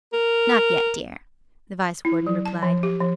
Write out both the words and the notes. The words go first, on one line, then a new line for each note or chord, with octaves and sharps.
"Not yet, dear," the Vice-Warden replied.
A#4
E4
F#3
A5
F3
G4
F3